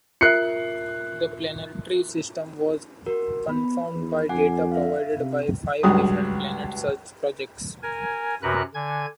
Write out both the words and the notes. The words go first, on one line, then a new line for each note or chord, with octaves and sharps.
The planetary system was confirmed by data provided by five different planet search projects.
F4 A#4 E5 F#6 C7 C#7
F#4 A#4
B3 B5
E2
F2 F#5 G#5 D6
E5 F5
C3
C#2 G2 F#3 D#6
A#4 G#5
F#2 C3 F#4 A#4 B4 F#6
D3 G#5 G#6